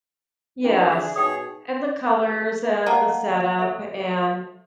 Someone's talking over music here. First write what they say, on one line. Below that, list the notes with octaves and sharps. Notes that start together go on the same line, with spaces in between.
Yes, and the colors and the setup, and
E3 C4 D4 G5
D3 G#4 E5
B2 D#4 G#4 C#5 G5 D#6
A#3 D#5 F#5 A5
A4 E5